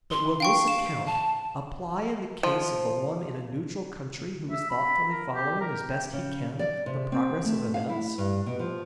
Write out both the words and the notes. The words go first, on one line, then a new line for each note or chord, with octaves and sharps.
But will this account apply in the case of the one in a neutral country who is thoughtfully following as best he can the progress of events?
C6
D4 F5 G5 C#6
F5 E7
A5
F3
E5
B5
A#4
G4
A#4
G5
C#3
D5
C3
C4
A3
F5
E4
G2
B2
F3